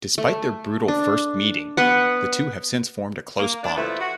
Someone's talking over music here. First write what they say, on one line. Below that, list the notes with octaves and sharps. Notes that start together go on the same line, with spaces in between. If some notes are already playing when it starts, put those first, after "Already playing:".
Despite their brutal first meeting, the two have since formed a close bond.
A3
D4
B3 B4 F#5
A#3
D4
B2 F3 A3 E4 B4
F#4